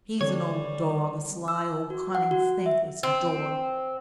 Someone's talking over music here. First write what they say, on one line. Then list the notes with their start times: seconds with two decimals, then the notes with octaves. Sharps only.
He's an old dog; a sly, old, cunning, thankless dog!
0.21 D3 G3 C4 A4 C#5
1.48 E6
1.90 F#4
2.15 F#5
2.31 F#4
2.66 E5
3.03 C4